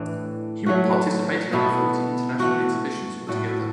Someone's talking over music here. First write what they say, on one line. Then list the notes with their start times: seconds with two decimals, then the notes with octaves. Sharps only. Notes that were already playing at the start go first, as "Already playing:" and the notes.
He would participate in over forty international exhibitions altogether.
Already playing: A2 E3 D4
0.66 F#3 A3 F#4
1.53 B2 B3 E4 A4
2.40 E3 A3 F#4
3.27 A2 A3 F#4 A4